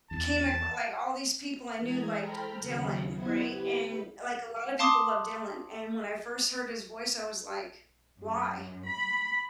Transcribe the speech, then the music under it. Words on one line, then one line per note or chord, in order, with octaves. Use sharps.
came ac like, all these people I knew liked Dylan, right? And, like, a lot of people love Dylan, and when I first heard his voice, I was, like, "Why?”
E2 A5
E3 G#3 G#4 A#5 G#6
A4 C5 G5 A#5 B5 F6
D#2 C#3 F#3
B3 E4 C5 F#5 G#6
G4 B4
F5 A5 C6 D6 D#6
F#2
B5